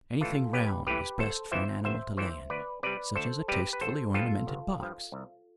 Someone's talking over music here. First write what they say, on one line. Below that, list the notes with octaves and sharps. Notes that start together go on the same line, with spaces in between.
Anything round is best for an animal to lay in; such as a tastefully ornamented box.
A2 E3 F4 A4
B1 G4 B4
A2 E3 G4 B4
G1 A4 C5
F2 E3 C5 E5
G1 C5 E5
F2 E3 C5 E5
D2 B4 D5
C3 G3 B4 D5
D2 A4 C5
C3 G3 G4 B4
B4
G1 A4 C5
G2 F3 F4 A4
G1
G2 F3
C2